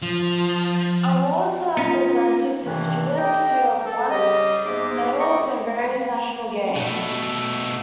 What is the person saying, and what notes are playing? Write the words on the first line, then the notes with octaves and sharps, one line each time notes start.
Awards are presented to students who have won medals in various national games.
F3
B3 C#4 D#4 F4
G2 C3 D#3 E3
D3 G4 D#5 G5
A4
C#3 G3 G4 D#5
G#2 A#3 B3 C5 E5 D6
C#2 D#5 G5 C#6
B2 A3